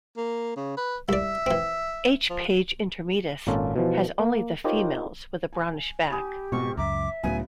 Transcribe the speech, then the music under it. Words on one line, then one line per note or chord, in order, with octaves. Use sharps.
"H. page intermedius" has only the females with a brownish back.
A#3
C#3
B4
C2 D5 E5
E3 C4
F3
G#1 A#2 A#3 C#4 F4 A4
B2 E3 F3
A#3
D#4 F4 G4 A#4 C5 C#5
G#5
G4 G#5 B5 D#6
F2 G#2 B2 C#6
C#2 F#2 E5 A#5 D6
C#2 A2 C#3 F#3 B3 G#5